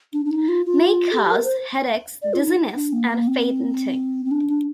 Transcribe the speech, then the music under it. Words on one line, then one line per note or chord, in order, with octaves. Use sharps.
May cause headaches, dizziness and fainting.
D4
D4
D#4
F4
F4
A4
G4
A#4
C5
D5
F4
D#4
D4
A#3
A#3
C4
C4
D4
D4